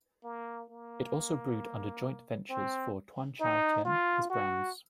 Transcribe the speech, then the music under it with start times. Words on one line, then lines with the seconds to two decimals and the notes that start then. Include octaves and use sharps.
It also brewed under joint ventures for Tuan Chau Tien, his brands.
0.24 A#3
0.69 A#3
2.49 C4
3.40 D#4
3.85 F4
4.30 F#4